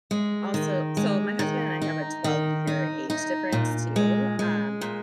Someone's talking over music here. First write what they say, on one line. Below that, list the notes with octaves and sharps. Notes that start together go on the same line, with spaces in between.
also So my husband and I have a twelve-year age difference too, um
G#3
D#3
G#3
D#3
D#4
D#3
D#4
D#4
A#2
G#3
G#3
A#2